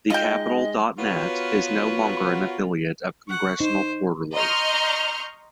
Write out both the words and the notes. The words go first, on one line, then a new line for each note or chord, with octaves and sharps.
TheCapitol.Net is no longer an affiliate of Congressional Quarterly.
G#3 D#4 F4 D#5 G5
B3 F4 F#4 A#4 B4 C#5
F#5 C#6
D#4 C5
D#5 A#5 C6 C#6 F6 G6